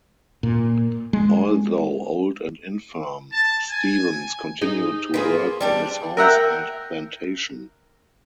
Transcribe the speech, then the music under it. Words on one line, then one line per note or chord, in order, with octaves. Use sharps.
Although old and infirm, Stephens continued to work on his house and plantation.
A#2
G#3
A5
G#5
D#4 G#4
A#3 F4 G#4 B4
G3 D4 G4
A#4 E5 F#5 G5